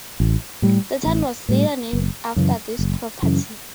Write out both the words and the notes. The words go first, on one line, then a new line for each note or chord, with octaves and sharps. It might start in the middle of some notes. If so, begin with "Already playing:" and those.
The town was later named after this property.
A1
A2 G3
A1
A2 G3
F#1
F#2 C#3 E3
F#1
F#2 C#3 E3